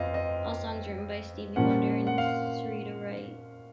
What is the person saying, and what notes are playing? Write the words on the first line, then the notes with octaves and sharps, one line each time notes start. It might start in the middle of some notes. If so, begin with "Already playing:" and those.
All songs written by Stevie Wonder and Syreeta Wright.
Already playing: F2 B3 D#5 F5
D#5
A#2 F3 A#3 C#4 F#5
F#5
F5